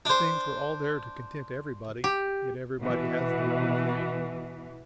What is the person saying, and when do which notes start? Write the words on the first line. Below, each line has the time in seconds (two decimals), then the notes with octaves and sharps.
The things were all there to content everybody; yet everybody has the wrong thing.
0.05 D4 C5
2.04 G4
2.80 B2 E3